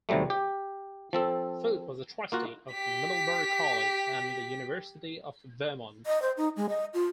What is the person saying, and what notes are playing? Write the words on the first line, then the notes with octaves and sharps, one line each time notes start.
Foot was a Trustee of Middlebury College and the University of Vermont.
D#2 C3 F#3 G3 A3
G4
F3 C4 A4
A#3 F4 F#4
G4 B6
D#5
C5
D#4
G#3
D#5
F4